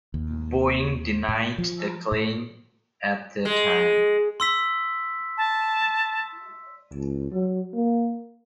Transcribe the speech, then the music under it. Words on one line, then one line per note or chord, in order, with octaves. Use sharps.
Boeing denied the claim at the time.
D#2
A2
F3
A2
G#3
C6 E6 B6
A5
C#2
F#3
A#3